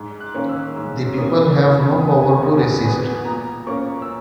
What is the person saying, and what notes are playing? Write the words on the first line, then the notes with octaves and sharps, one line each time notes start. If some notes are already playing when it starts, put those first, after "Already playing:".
The people have no power to resist.
Already playing: G#2
F#6
D#3 A#3 C#4
E6
G#2 E6
D#3 A#3 C#4 D#6
E2 C#6
B5
B2 G#3 B3 D#6
G#5
E2 F#5
B2 G#3 B3 G#5
A#2 A#5
A#3 C#4 C#6
E6